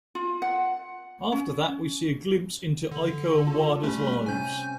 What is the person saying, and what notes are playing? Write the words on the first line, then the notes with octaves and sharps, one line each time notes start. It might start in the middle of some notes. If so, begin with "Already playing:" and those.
After that, we see a glimpse into Eiko and Wada's lives.
F4
F#5
C#4
D3
C#3 F4 A5
G3 A3 C#4 B4
C3 C#4 G#5 G6